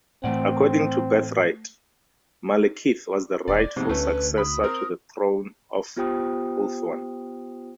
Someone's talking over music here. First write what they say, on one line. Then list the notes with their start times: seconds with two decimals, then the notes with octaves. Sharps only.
According to birthright, Malekith was the rightful successor to the throne of Ulthuan.
0.24 A2 E3 A3 C4 D5 F#5
3.48 E1 D5
3.76 F2 G#2 C3
3.89 D2 A3 C#4 B4
4.38 B5 D#6
4.63 C4 A#4
5.96 B3 F4 G4 C5 G5 D#6